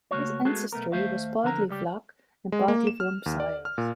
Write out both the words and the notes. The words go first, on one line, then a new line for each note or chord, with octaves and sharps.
His ancestry was partly Vlach and partly from Syros.
C#2 A3 A#3 F#4 C#5
G#3 A3 B3 F#4 G#4 A4
B1 A3 B3 A#4
D#2 A3 C5 E5 F5
D3 F3 A#4 A5 A#5
C#2 G3 G4
G#3
A#3
E7
F6
D#2
D5
F6
A#2